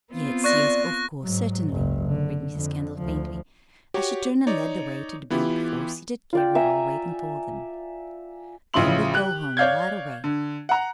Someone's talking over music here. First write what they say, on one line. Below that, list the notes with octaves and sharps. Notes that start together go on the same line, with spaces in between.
"Yes, yes, of course, certainly," agreed Mrs. Kendall, faintly, as she turned and led the way to the big four-seated carryall waiting for them. "Then we'll go home right away."
B3 C4 F4
D5 C#6 F#6 A#6
G#2 F#3
F#1 C#2
D3
F2 D3
D2 F3
F#4 G4 C#5
D#4 C#5 D5
E3 B3 E4 F4 G4
F4 D5 G5
E5 G#5 A#5
A1 C#3 F3 E4 C6 F#7
G4 F#6
C#5 D5 F5 G6 G#6
D3
F#5 A#5